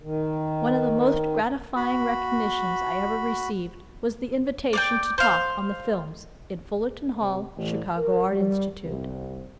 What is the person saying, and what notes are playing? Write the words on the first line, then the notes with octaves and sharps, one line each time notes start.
One of the most gratifying recognitions I ever received was the invitation to talk on the films in Fullerton Hall, Chicago Art Institute.
D#3
F#4 B5
D5 F5 G5
C5 F5
C3
A1
A#4
G3
C2